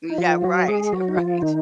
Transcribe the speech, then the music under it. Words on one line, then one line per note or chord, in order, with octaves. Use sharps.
Yeah, right, right.
D#4
F3 F4
F#3 F#4
G#3 G#4
F#3 F#4
D#4
F3 F4
D#3 D#4